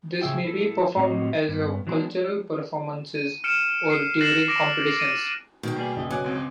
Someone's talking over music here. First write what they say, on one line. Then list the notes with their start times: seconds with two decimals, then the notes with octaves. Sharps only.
This maybe performed as a cultural performances or during competitions.
0.21 C#3 G#4 E5 G5
0.44 E4 A4
0.96 A2 C4 F#4 G4 D#5
1.48 G2 B3
1.87 E3 F#3 G#3 A#3 B3 D4
3.15 D#7
3.44 F6 C#7 D7 E7
3.90 C7 C#7
4.21 F#6 A6 A#6 C7 E7 F#7
4.48 D6 A#6 D7 E7
4.97 A6 D7 D#7
5.63 B2 D#3 G4
5.76 G3 A#3 G#4 B4 D5 G#5
5.96 A#1 C#3 D#5
6.11 B2 F#3 G#5 D6 F#6
6.24 G1 C#2 C4